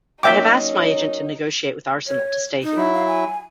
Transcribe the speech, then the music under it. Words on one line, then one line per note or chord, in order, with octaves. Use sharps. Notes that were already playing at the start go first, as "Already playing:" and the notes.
I have asked my agent to negotiate with Arsenal to stay here.
F#3 A#3 C#4 D#4 E5 G5 D6
C#5
D#4
F#3 E4
F5
G#5